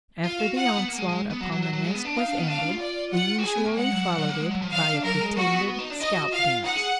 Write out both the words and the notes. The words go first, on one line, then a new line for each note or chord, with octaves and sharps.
After the onslaught upon the nest was ended, we usually followed it by a pretended scalp dance.
F4 F5
F#4
F4 F#5
D#4
B3
A#3
G#3
G#3
B3
F#3
F#3
F#3
F#3
G#3
B3
D4
D#4 F5
D4
B3
D4 F5
D4
F4
D5
F#5
F#4
G#4 G#5
B3
A#3
G#3 F#5
F#3
F3
F#3
A#3
G#3
F#3
F3
F3 F5
D#4
D4
F#3 A#4
G#3
A#3 F#4
B3
B3
D#4
D4
D#4 D#5
F#4
F#4
F4 F5
D#4 F#5
G#4